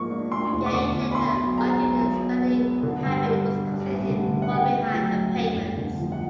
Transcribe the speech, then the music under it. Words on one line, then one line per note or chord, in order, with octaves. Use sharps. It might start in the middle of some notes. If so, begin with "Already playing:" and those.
Gaye later argued his spending habit was causing him to fall behind on payments.
Already playing: G#2 F3 A#3 C#6
D4
D2 C6
E1
D6
D3 C#6
E1
B5
B2 C6
B1
G#3 A#5
B1
B2
E2
G#3
B3
D3
G2
G3
G2
G2
A1
D3
A1
F#5
C#3 G5
D2
F#3
D2
F2
G1
D3
F3
F#5